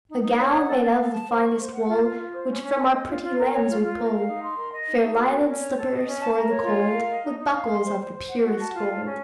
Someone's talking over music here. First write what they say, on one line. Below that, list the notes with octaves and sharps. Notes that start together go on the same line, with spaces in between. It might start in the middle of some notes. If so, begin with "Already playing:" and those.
A gown made of the finest wool, Which from our pretty lambs we pull, Fair-lined slippers for the cold, With buckles of the purest gold.
D#4
D#4
C#5
F#5
A4
A4
F5
A5
C5
C#6
C5
F#5
F4
F4
F4
C5
C#4
C#4
A4
D#5
F4
F4
A#4
C#5
F4
F4
A#4
F5
D#4
C6
A#4
D#5
D#4
D#4
F#4
A#4
C#4
C#5
A4
D#5
C#4
A5
A#4
C#5
F4
F5
A#4
D#5
D#4
D#4
F5
C6
C5
C5
C5
F#5
F#4
A5
F4
A4
C#4